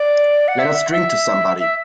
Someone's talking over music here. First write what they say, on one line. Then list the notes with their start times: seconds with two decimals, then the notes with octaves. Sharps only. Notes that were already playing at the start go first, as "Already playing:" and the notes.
Let us drink to somebody.
Already playing: D5
0.48 F#5
0.59 E5
0.92 E5
1.60 E5